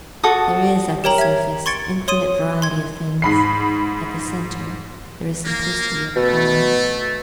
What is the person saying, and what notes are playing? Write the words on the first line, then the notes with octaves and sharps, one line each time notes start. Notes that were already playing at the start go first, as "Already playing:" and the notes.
There is, at the surface, infinite variety of things; at the centre there is simplicity of cause.
F#4 A4 D#6
G4 A#4 C#5 G5 A#5 F#7
E5 G#6
C6 C#6 G#6 A6 C#7 D7
C#5 C6 D#6 D#7
C6 G#6
G#2 B5 C7
A#3
B2 A3